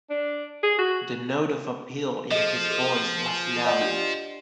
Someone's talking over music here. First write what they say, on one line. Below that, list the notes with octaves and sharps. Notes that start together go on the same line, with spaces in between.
The note of appeal in his voice was loud.
D4
G#4
F#4
F3 G#4 A4 D#5
G#4 A#4
G#5
D5 D#5 F#5
D4 G4